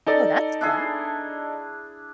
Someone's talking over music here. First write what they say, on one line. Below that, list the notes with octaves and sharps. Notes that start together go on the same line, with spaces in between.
Oh, that's fun.
D#4 A4 D5
D4 E4 G#4